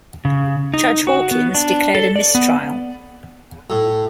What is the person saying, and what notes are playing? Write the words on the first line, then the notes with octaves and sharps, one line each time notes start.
Judge Hawkins declared a mistrial.
C#3
D#4
F#4
B3
D4
A4
D5
B3
A2